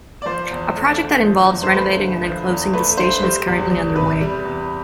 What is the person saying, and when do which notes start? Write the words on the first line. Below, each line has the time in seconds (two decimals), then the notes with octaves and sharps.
A project that involves renovating and enclosing the station is currently under way.
0.22 D5
0.26 F3 C5
0.51 E2
0.76 A3
1.01 D3
1.24 F3
1.50 E2
1.63 C5
1.74 A3 B4
1.98 D3
2.24 F3
2.48 E2
2.73 A3 B4
2.97 D3 C5
3.22 G3 C5
3.47 E2
3.71 E2
3.96 C3 B4
4.21 G3
4.45 E2